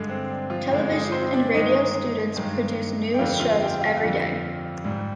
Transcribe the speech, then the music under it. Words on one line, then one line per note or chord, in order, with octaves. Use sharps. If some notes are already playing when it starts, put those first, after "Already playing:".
Television and radio students produce news shows every day.
Already playing: G2 D3 G#3
C4
D4
F3 F4
G2 D3 G3 G#3 G4
G#3 G#4
C4 C5
D4 D5
G2 D#3 G#3 D#4 D#5
G2 D#3 G#3
G5
F2 D3 G3 F4 F5
F4 F5
G4 G5
F4 F5
F2 D3 G3
G#2 G3